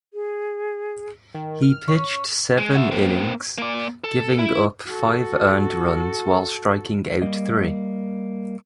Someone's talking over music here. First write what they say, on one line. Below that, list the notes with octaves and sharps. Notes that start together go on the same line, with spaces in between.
He pitched seven innings, giving up five earned runs while striking out three.
G#4
D#3
F6
C#4 C#5
G#3
F#4 E5
A#3 C4
A#3 D5
A4
E4
F#4 A4
G3 A#3 D#5